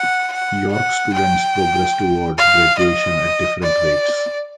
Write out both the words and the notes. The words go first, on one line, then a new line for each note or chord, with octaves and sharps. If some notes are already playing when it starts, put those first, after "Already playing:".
York students progress toward graduation at different rates.
Already playing: F#5
F#5
F#5
G5
F5
D#5
D5